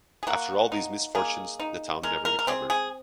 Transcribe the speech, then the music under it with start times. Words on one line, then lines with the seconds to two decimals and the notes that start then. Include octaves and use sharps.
After all these misfortunes, the town never recovered.
0.23 G#4
0.27 A#3 F#4
0.72 D#4
1.15 A#3 G#4
1.59 D#4
2.03 G#3 A#4
2.25 A#4
2.39 A#4
2.47 C4 G#4
2.70 G#4